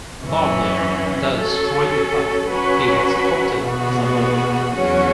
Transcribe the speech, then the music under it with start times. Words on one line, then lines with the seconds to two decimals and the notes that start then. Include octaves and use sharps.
Bodmer thus joined the club he had supported as a boy.
0.24 F#2 E3 C#4
1.36 F#3 C#4 A4
2.49 F#3 C#4 F#4 B4
3.61 E2 B2 B3 F#4
4.73 E2 C#3 F#3 C#4 F#4